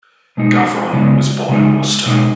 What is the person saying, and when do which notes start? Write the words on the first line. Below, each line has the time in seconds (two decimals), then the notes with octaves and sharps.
Gavron was born in Worcester.
0.37 B2 G#3 D#4
0.93 C#3 G#3 B3 D#4
1.49 C#3 G#3 D#4
2.06 B2 G#3 D#4